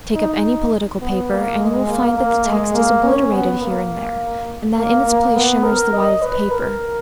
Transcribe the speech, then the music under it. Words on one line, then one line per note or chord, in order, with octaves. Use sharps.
Take up any political paper and you will find that the text is obliterated here and there, and that in its place shimmers the white of the paper.
D#4
B3
A#3
G#3
A#3
A#3
G#3
A#3
C#4
B3
A#3
A#3
A#3
B3
A#4
D#5
B4
A#4